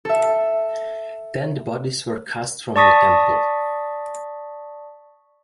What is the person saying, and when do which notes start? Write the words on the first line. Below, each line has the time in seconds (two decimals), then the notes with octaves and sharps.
Then the bodies were cast from the temple.
0.05 A4 E5
2.76 D5 A5 C#6 D#6 A#6 B6